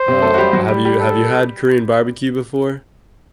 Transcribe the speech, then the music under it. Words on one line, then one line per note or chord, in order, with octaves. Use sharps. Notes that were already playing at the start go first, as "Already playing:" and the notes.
uh, have you have you had Korean barbecue before?
Already playing: C5
C3 C4
A3 A4
F#4
G3 G4
F#3 F#4
G3 G4
G3 G4
A4